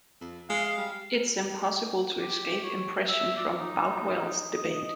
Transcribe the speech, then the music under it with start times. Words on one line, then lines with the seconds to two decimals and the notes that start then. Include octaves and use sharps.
It is impossible to escape impression from Boutwell's debate.
0.21 F2
0.50 G#3 F5
0.65 F5
0.78 G3
2.20 G4
2.63 C#5
3.09 E5
3.37 D5
3.60 D#4
4.56 D#5